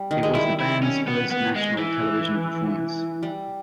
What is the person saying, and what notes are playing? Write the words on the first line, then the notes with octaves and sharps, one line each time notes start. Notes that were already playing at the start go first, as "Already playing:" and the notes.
It was the band's first national television performance.
Already playing: G3
D#3
G#3
G3 E4
E4
C#4
B3
B3
G#3
E3
G3